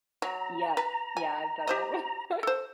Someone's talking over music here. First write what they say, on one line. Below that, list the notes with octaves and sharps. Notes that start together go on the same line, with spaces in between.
Yep, yeah, I've done that before.
F#3 A#5
B4
G#5
G4 C5 D#5
A4 C5